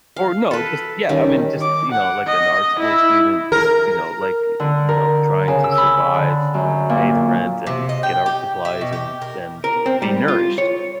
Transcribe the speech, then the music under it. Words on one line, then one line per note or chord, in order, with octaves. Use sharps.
Or no, just, yeah, I mean, just, you know, like, an art school student just, you know, like, y y you know, trying to survive, m pay the rent, and get art supplies, and and be nourished,
F5
A4 B4
D#3 G3 C#4
D6
F#5
D#5
E4
A#4
D3
A#4
C#3
E6
B5
D3
F#2
A#2
C3
D#5
G5
G4
E4
B2
G4
A#4
A#4
C4
G3
F4
C#5